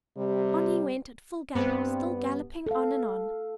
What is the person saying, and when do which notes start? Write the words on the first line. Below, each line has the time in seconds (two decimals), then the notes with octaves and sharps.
On he went at full gallop, still galloping on and on.
0.17 C3 G3
1.55 G2 B3 C4
2.67 A4 F5